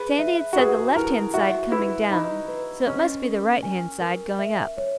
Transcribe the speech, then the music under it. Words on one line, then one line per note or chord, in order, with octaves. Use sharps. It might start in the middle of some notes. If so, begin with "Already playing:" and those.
Sandy had said the left-hand side coming down, so it must be the right-hand side going up.
Already playing: G#4 B4
E5
F#4
G#4 B4
E4 A#4
F#4 E5
E4 B4
D#4 B5
B4
C#4 D#5
A#4
G#5
A#4
E5
C#5